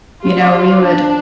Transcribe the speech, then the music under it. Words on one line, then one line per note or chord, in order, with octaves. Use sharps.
You know, we would
F4 G4
D5 F5 D6
G4
C5 F5 D6
D4 F4
C5 A5